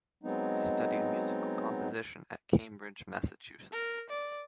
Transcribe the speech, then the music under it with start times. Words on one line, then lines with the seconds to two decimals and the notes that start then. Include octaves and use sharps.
He studied musical composition at Cambridge, Massachusetts.
0.23 F#3 G#3 B3 C4 D#4
3.72 A#4
4.10 D5